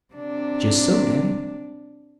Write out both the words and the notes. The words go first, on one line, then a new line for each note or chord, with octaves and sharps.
"Jist so, daddy."
C3 D4